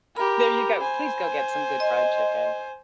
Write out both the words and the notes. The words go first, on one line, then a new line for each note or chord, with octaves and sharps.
There you go. Please go get some good fried chicken.
G4 A#4 B5
C5 G#5
D#5 C6